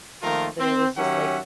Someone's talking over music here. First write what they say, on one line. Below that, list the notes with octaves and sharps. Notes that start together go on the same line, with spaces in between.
but it was just like
D#3 F3 A3 A#3 F4 A#4
C4
D#3 F#3 C#4 G4 E5 F#5